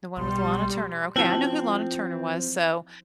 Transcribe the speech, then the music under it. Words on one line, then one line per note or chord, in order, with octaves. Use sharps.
The one with Lana Turner. Okay, I know who Lana Turner was, so,
B1 B2 G3 C6
F3 C4 E4 F#4 A5